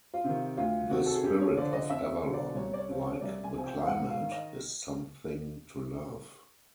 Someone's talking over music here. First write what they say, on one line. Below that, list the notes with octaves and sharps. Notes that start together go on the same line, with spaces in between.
The spirit of Avalon, like the climate, is something to love.
F4
C3 D#3
D2 F4
C3 D#3 F#4
A4
G#4
F2 G4
C#5
D3 F3 D5
D#5
F2 E5
D3 F3
D5
C2 C#5
D5
C#5
C3 F3
C#5
C2 D5
G#5
C3 F3 G#5
G5
F5
G#2 F#5
F5
D#3
D#5